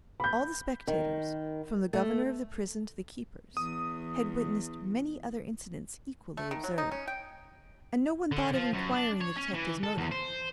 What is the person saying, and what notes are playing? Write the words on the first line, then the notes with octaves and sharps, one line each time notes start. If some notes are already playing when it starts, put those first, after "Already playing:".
All the spectators, from the governor of the prison to the keepers, had witnessed many other incidents equally absurd; and no one thought of inquiring the detective's motive.
B5 G6
D#3
A3
E2 D#6
A3
D#3
F#3
D#4
C#4
G5
D3
F3
F#2
D4
C#5
C#4
E3
A4
E2
C5